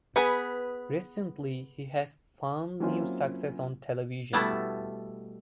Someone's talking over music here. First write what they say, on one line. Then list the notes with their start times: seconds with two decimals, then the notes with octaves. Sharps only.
Recently he has found new success on television.
0.16 B3 G#4 B4
2.80 F#3 A#3 C4 C#4 E4 F4
4.33 B2 G3 A3 B3 E4 A5